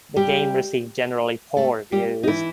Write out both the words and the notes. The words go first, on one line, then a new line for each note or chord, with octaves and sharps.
The game received generally poor reviews.
G3 G4
A3 A4
G3 G4
D#4
E3 E4